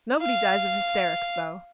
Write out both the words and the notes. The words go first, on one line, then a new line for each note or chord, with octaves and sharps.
Nobody dies of hysterics, though.
F5